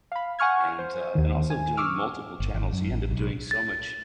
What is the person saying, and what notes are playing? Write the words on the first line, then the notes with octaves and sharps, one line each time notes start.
and, uh and also doing multiple channels, you end up doing so much
F5 B5
F#5 G#5 C#6 F6 G#6
C5
D#2 D#3
G#5
C#6 D6 E6 F6
G1
G#1
F#2
A1
B1
A6